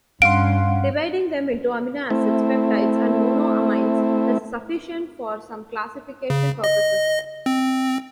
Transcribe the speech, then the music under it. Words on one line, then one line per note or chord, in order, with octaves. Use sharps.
Dividing them into amino acids, peptides, and monoamines is sufficient for some classification purposes.
G2 C#4 F5 F#5 C6 D7
A3 C4 E4
C#3
D#5
C4